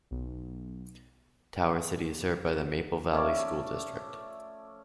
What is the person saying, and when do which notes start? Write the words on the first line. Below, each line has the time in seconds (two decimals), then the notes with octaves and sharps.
Tower City is served by the Maple Valley School District.
0.11 B1
3.12 F3 A3 C#4 D5